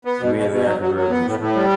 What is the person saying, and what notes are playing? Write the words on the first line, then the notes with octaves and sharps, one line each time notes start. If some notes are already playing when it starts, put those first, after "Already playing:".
Immediately after the Revolution.
B3
B2
B2
B2
F#3
F#3
F#3
B3
A2
A2
G3